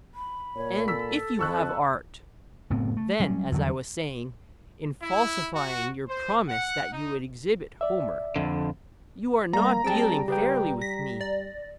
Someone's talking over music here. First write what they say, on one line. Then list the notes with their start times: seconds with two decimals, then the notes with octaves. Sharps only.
And if you have art, then, as I was saying, in falsifying your promise that you would exhibit Homer, you are not dealing fairly with me.
0.14 B5
0.56 A#2 C#5
0.88 A4 E6 B6
1.39 F2 A5 C#6 E6 F#6
2.70 F#1 A2 B3 C4
2.97 A3
3.20 F#3 G3 C#4
3.52 E2 D3 F#3 G3
5.03 E4
5.56 F#4
6.09 C5
6.49 F#5
6.93 D#4
7.81 D5 E5
8.36 F2 D3
9.53 G3 A#3 A#5
9.84 G3 C4 G#4 G5 A5
10.28 C#3 G4 B4 G5
10.82 A#6 B6
11.21 D5